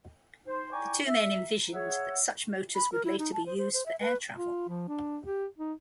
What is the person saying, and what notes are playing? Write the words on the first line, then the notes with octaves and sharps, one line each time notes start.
The two men envisioned that such motors would later be used for air travel.
C5
D5 G5 G#5 A#5 C#6 D6
E5
G#4 C#5 E5 F#5
B5
A#4
E4
D#4
A5
C5
C5
C5
E5
B4
F4
F3
D4
G4
D#4